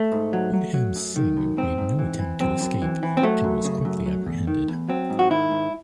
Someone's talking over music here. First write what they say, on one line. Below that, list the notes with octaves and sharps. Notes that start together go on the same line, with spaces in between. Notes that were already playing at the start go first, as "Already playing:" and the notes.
Udham Singh made no attempt to escape and was quickly apprehended.
Already playing: A3
G#2
F#3
F#3
F#3
F#2
D#3
F#2
G#2 C4
G#2
E3
E3
F#2 C4
F#2
E3
E3
C4
F#3 A3
F#2
C#3
F#2
F#3
E2
D#3
E2
F#3 C4
G#2
F#4
D#3 E4
G#2